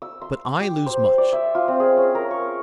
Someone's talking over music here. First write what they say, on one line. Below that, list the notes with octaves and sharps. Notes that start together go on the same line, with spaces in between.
But I lose much.
E6
C6
G4
C5
D5
E5
F4
C4
G#4
C#4
A#4
C#6